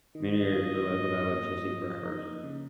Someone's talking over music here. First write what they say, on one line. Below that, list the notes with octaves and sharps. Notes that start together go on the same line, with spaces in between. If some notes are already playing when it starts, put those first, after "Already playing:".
Many areas were left without electricity for hours.
D#3 D#5
F4
G#2
A#3
F3
D#4
C#3